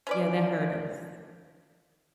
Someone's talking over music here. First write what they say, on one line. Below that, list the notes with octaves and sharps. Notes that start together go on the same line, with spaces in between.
Yeah, that hurt us.
C#4 B4 D5